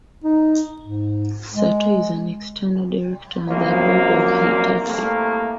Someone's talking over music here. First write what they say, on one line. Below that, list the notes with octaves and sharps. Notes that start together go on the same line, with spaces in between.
Sato is an external director on the board of Hitachi.
D#4
G#2
G#3
C2 F#2 F3 A#3
C2 A3 A#3